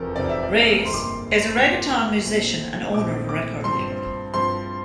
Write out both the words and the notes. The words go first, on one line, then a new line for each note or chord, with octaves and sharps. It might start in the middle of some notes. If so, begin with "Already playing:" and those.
Reyes is a reggaeton musician and owner of a record label.
Already playing: F1 E2 C3 F3 C4 A4 A#4
F1 E2 C3 F3 C4 D5
E5
D5
G1 F2 C3 F3 A#3 C6
D6
C6
G1 F2 C3 F3 A#3
A#1 A#2 A3 C4
A#1 A#2 A3 C4 D6
D6
G2 F3 C4 C6
G2 F3 C4 C6